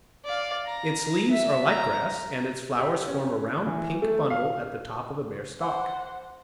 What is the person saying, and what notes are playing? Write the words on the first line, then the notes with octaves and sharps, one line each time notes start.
Its leaves are like grass, and its flowers form a round pink bundle at the top of a bare stalk.
D5 F5
A#5
E5
A#5
G4
C#4
E3
A3
F5
C5 F#5